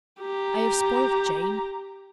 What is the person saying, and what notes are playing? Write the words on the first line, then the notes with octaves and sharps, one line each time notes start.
I have spoiled Jane.
G4 A#5